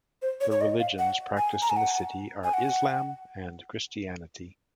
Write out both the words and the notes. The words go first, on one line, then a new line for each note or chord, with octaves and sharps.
The religions practiced in the city are Islam and Christianity.
C5
C#5
C#5
D#5
F5
F#5
G#5
A#5
G#5
F#5
G#5
F#5